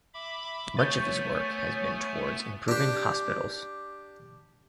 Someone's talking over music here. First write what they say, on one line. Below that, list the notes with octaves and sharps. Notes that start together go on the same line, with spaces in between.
Much of his work has been towards improving hospitals.
E5 B5 D6
A3 B3 C#5 G#5 G6 A6
D4 G4